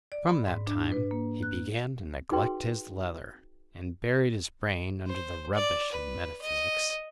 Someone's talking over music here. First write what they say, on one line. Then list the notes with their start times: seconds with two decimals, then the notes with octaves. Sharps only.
From that time he began to neglect his leather, and buried his brain under the rubbish of metaphysics.
0.12 D5
0.27 B5
0.47 G#2
0.67 D4
0.92 B4
1.11 A#3
1.43 F#6
2.31 D#4 F#4 G#4 B4 G5 C6
5.07 C5
5.54 D5
5.92 B4
6.42 D#5